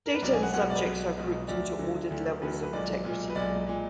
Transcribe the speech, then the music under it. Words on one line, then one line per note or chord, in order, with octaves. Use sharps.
Data and subjects are grouped into ordered levels of integrity.
A#4
B4
B1 B2 G#3 D5
G#5
F#5
B1 B2 G#3 F#5
D5
B4
B1 B2 G#3
B1 B2 G#3
D2 D3 F#3 D5
D2 D3 F#3
D2 D3 F#3
D2 D3 F#3 B4
B4
B1 A#2 G#3 D5
B1 A#2 G#3
B4
B1 A#2 G#3 D5
A#2 G#3